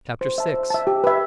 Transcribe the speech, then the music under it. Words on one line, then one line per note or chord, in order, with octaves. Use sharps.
Chapter VI.
C5
E5 A5
C5
E5 A5
G4
B4 E5